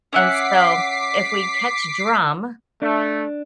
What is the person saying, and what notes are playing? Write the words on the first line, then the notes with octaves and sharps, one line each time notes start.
and so, if we catch drum
C#4 E5 F#5 D6 B6 C7
A3 D4